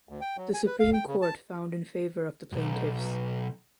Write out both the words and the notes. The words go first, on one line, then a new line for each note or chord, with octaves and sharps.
The supreme court found in favor of the plaintiffs.
D2
G5
F#3
G#5
B4
F5
G5
C#3
A5
B1 F#2